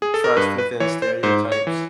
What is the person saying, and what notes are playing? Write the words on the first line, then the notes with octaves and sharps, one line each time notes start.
trust within stereotypes,
G#4
A4
A#4
G2 B4
B4
E3 C#5
C5
G#2 C5
C#5
E3